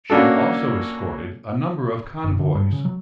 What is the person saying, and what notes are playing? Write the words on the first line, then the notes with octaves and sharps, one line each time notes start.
She also escorted a number of convoys.
A#3 C#4 D4 F#4 A4
F#1
D3
G2
C#3
F#3